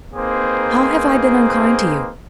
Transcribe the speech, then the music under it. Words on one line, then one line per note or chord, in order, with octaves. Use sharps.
"How have I been unkind to you?"
A#3 C4 D#4 G#4 B4 C5